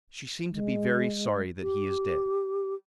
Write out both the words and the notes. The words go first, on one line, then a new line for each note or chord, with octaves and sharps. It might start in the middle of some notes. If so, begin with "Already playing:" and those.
"She seems to be very sorry that he is dead."
G#3
G4